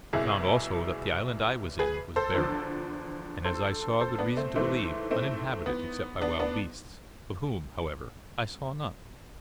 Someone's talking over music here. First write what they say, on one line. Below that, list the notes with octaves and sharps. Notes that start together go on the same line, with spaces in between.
I found also that the island I was in was barren, and, as I saw good reason to believe, uninhabited except by wild beasts, of whom, however, I saw none.
C2 B2 E4 G#4
G#4 B4
A4 C5
E2 D3 F3 A4 C5
A4 C5
A4 C5
B3 D4
A3 C4
G#2 E3 A3 C4
A3 C4
B3
B3 D4
B3 D4